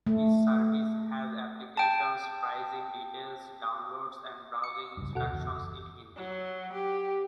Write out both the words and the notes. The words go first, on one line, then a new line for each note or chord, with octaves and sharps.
This service has applications, pricing details, downloads and browsing instructions in Hindi.
A3
G5 A5
C#7
C#2 G2
D#2 B2 D3 F#4 A4 F#5
F#1 E2
F#3
G4